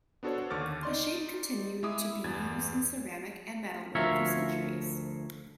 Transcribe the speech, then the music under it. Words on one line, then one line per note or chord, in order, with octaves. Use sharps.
The shape continued to be used in ceramic and metalwork for centuries.
B3 D4 F#4 A4 C5 C#5
D#2 D3 C#6 D6 F6 A6
D#4 D5 C6
G#3 E4 D6 D#6
E4
E2 G2 G#6 A6
D2 F3 A#4 C#5 E5